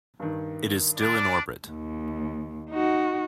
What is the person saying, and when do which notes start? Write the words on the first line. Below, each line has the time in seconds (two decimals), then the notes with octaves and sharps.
It is still in orbit.
0.20 G2 D#3
0.98 G3 D4 D5
1.67 D#2
2.70 D#4 F#4